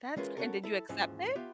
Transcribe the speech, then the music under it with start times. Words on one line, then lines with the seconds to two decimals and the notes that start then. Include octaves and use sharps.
That's cr and did you accept it?
0.16 E3 G#3 C#4 F4 A#4 B4
0.37 B3 C#4 F#4 A4 A#4
0.63 E4 A4
0.89 D#2 G#2 E3 F3 C#4
1.35 B3 F4 G4 E5 F5